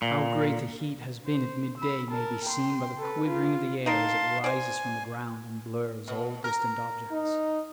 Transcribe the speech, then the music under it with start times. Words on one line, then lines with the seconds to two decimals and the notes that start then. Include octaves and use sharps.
How great the heat has been at midday may be seen by the quivering of the air as it rises from the ground and blurs all distant objects.
0.02 A#2
1.26 C5
1.78 B5 E6
2.11 A#4 A5
2.45 G5 C6
2.99 A4 B4
3.28 F4
3.86 D#4 A#4 F5 A5 C6
4.44 C5 D5 G#5
6.08 B2
6.44 A#4
7.12 D#4